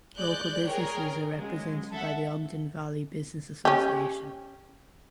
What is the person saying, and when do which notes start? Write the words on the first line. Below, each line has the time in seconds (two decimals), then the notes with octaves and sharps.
Local businesses are represented by the Ogden Valley Business Association.
0.17 G#3 D5 F#6 G6
0.67 G#4 A#4 C#5 G5
1.33 C#3 F#3 G#3
1.91 A4 E5 F#5
3.65 C#4 G4